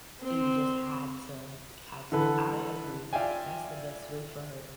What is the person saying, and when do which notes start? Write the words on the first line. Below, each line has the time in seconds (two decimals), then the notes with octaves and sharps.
S so you just had to, uh, had to I agree, that's the best way for her.
0.22 C4
2.12 D3 E3 A4 B4
3.13 F4 D5 E5 F5 G5 G#5